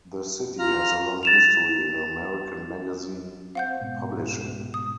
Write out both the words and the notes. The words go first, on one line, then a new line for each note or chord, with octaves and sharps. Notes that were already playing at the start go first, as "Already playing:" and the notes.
The city has a long history in American magazine publishing.
F4 A#5 F6
A6 E7 F7
C4 F5 F#5 G6
G#2 B2
D#6